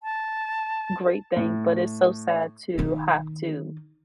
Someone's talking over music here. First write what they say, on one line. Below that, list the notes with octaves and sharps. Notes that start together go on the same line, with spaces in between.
great thing, but it's so sad to have to,
A5
A2
D#3 D#4